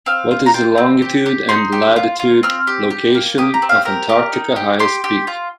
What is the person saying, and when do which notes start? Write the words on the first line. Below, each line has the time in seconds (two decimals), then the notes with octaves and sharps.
What is the longitude and latitude location of Antarctica highest peak?
0.06 C4 F5
0.31 F4
0.46 A#5
0.54 F4 G5
0.78 C4
1.02 G4
1.26 G4
1.49 D#4 C6
1.72 G4
1.96 F4
2.19 F4
2.43 C4 F6
2.67 G4
2.90 G4
3.15 A#3
3.38 G4 D#6
3.54 A#5
3.62 C4
3.69 F5
3.85 G4 A#4
4.09 G4
4.33 D#4
4.56 G4
4.79 G4 C6
5.04 G4
5.27 F4